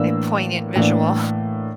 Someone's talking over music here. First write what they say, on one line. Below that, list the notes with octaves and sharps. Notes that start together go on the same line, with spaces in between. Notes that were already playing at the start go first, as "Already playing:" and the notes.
a poignant visual.
Already playing: A2 E3 A#3 D4 E6
A2 E3 A#3 D4